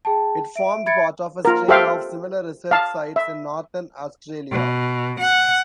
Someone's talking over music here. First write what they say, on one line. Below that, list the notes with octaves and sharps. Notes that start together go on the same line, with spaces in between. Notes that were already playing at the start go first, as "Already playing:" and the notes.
It formed part of a string of similar research sites in northern Australia.
G#4 G5 A5
E5 D7
E5 B5 G#6 A6 C#7 D7
F4 A#4
G4 A4 C5 E5 F5 G5
F5 A5
E5
B2
F#5